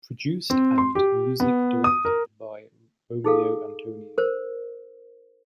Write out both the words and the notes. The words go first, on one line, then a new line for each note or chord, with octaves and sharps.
Produced and Music Directed by Romeo Antonio.
C4
C6
G4
B3
D#6
A#4
D#4 G#4 A4 F5
A#4 C5